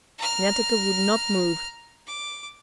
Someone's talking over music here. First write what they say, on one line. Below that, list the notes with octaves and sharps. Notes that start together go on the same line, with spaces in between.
Netteke would not move.
A#5 F6
D6